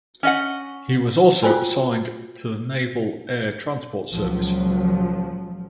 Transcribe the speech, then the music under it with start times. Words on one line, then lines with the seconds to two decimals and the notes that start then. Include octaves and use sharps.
He was also assigned to the Naval Air Transport Service.
0.23 C#4 D#5 F#5
1.43 F4 F#4 C5 G5 G#5 B5
4.11 C#2 A#2 F3 F#3